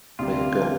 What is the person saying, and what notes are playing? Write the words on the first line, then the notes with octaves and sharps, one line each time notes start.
They have gone.
D2 C3 G3 F4